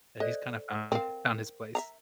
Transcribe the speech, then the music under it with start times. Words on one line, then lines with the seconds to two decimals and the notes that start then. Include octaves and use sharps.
and he's kinda found found his place.
0.20 A4 C5 D5 D#5
0.92 C4 A#4 F5
1.75 E5 F5 A#5